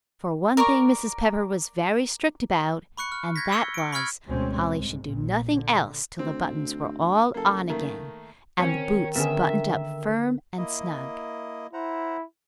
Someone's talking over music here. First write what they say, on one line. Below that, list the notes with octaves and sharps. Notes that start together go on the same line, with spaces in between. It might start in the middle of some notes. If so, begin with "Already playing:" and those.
For one thing Mrs. Pepper was very strict about--and that was, Polly should do nothing else till the buttons were all on again, and the boots buttoned up firm and snug.
A#4 D5 A#5 C#6
B5 C#6 F#6 C#7
F6
G6 G#6 A#6 B6
E6 C#7 G7
C#7 D7
B5 C#6 E6 F6 G#6
D2 B2 G#3 C4 C#4
C2 G#2
A#1 A#2
D3
D2 C4
F#1 A#3 A4
D#3 A3 A#3
D#3 C4 C#4 C#5
D3 B3 C#4 G#4 A#4 E5
A#3 E4 D#5
E4 C5 F#5 A#5